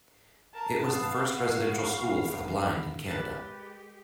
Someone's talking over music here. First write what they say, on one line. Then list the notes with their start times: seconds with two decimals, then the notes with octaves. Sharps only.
It was the first residential school for the blind in Canada.
0.54 A#4 A5
0.83 B3 F5
1.35 F#4
3.08 G#3 G4 A#4 B4 B5 F#6 A6